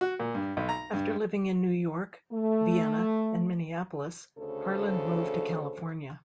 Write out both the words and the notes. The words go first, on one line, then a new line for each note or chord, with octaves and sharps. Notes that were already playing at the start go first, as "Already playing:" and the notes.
After living in New York, Vienna, and Minneapolis, Harland moved to California.
F#4
A#2
G2
B1
A#5
G2
A3
D2 C#3 A4 C5